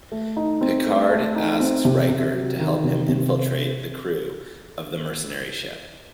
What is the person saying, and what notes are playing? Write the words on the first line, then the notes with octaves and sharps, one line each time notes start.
Picard asks Riker to help him infiltrate the crew of the mercenary ship.
A3
D#4
C4
A3
A3
D#4
C4
C3
C3
F#3
D#3
C3
C3